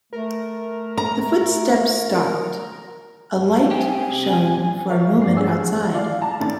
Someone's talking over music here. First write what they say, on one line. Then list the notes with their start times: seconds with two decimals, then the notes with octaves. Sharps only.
The footsteps stopped, a light shone for a moment outside.
0.13 A3 A#4
0.97 A#5
3.71 C4 G4 G#5
4.89 A#4 C#5 E5 F5
5.22 G1 D5 C7
5.36 G2 G#4 C#5 F#5 E6
5.93 E4 F4 D5 F5
6.21 A5 A#5
6.40 A2 D#3 C#4 D4 A6